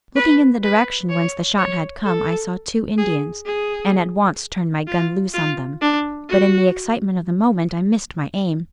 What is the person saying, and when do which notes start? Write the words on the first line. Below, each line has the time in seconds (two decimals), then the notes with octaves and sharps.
Looking in the direction whence the shot had come I saw two Indians, and at once turned my gun loose on them, but in the excitement of the moment I missed my aim.
0.16 B4
0.63 B4
1.10 C#5
1.58 C#5
2.04 A4
2.98 G#4
3.45 G#4
4.87 F4
5.34 F4
5.81 D4
6.29 F#4